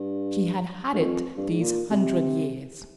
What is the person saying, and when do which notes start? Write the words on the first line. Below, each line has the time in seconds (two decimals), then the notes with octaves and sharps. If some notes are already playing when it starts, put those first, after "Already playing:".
She had had it these hundred years.
Already playing: G2
0.94 G2
1.00 F2
1.37 G2
1.49 G#2
1.61 A#2
1.91 C3